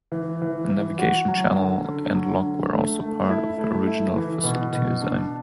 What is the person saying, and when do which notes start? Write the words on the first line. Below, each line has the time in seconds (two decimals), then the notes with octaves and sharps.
A navigation channel and lock were also part of the original facility design.
0.12 E3
0.42 E3
0.70 E3
0.98 F#4
1.28 F#3
1.56 D3
1.85 D3
2.14 F#3
2.43 D3
2.72 A3
3.00 A3
3.29 E4
3.58 A3
3.87 E4
4.16 E3
4.44 B2
4.73 B2
5.02 D4